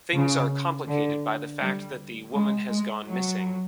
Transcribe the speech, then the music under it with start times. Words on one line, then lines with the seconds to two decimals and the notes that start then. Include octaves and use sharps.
Things are complicated by the fact that the woman has gone missing.
0.14 C#3
0.87 D3
1.60 G3
2.34 G#3
2.70 G#3
3.07 F#3